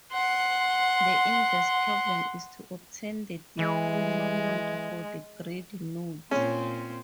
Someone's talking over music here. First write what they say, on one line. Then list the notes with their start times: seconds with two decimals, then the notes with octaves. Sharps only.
The inverse problem is to obtain the dipole moments for the grid nodes.
0.13 F#5 C6
3.59 E3 G#3
6.31 A#2 C4 C#4 C5